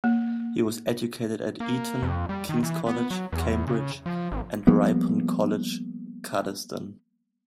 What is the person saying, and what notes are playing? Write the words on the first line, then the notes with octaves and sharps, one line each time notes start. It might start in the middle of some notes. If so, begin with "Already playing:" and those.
He was educated at Eton, King's College, Cambridge and Ripon College Cuddesdon.
A#3
A#3
F2
G3
D#3
E3
B3
F#3
E2
C#3
F3
G#1
F3 G3 A#3 B3